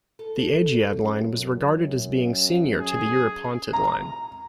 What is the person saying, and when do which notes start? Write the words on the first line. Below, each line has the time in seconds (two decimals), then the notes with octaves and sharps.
The "Agiad" line was regarded as being senior to the "Eurypontid" line.
0.19 A4
1.00 F#2
2.80 G#4
3.73 A#5